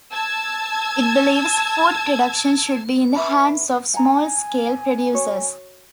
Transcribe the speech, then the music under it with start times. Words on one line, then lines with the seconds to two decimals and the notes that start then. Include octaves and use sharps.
It believes food production should be in the hands of small-scale producers.
0.11 A5 E6 G#6
3.16 B4 E5 B5
3.94 F#5 G#5 A#5
5.13 F#4 C#5